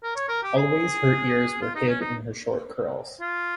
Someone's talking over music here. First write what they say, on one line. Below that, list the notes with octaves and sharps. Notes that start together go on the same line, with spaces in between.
Always her ears were hid in her short curls.
A#4
C#5
A#4
G4
G#4
F4
D#4
C#4
D#4
F4